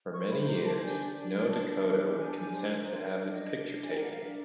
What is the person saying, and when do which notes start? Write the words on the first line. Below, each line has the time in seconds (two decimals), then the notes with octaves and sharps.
For many years no Dakota would consent to have his picture taken.
0.14 C5 C#6
0.31 B5
0.48 G4 A#5
0.65 A5
0.81 D4 G#5
1.16 D4
1.50 D4 A5
1.84 G4
2.18 D4 G#5
2.28 A5
2.39 G#5
2.51 C5
2.85 D4 A#5
3.19 D4
3.31 D#5
3.53 D4
3.83 A#4 G#5
3.92 G5
4.02 F#5
4.12 F5
4.21 D4 E5